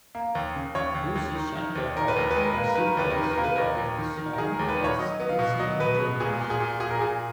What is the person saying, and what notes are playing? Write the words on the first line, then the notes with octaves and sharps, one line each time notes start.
Lucy Shanker of "Consequence" regarded the song as "disingenuous".
A#3
D#2
C#3
D#2 C#5
D#2
D#2
D#3
D#3
D#2
D#3 A#4
B4
D#2 A#4
B4
G#3
A#4
A#3 B4
A#4
D#3 B4
A#4
D#2 B4
A#4
D#3 B4
A#3 A#4
B4
D#2 A#4
D#2
D#3
D#3
A#4
D#3 G#4
A#4
D#2
B4
D#3
C#5
F#3 D#5
B3
F5
B2
F#3 D#5
B2 B4
B2
A#2 G#4
A#2
G#4
A#2
A#2 G#4
A#4
A#2 G#4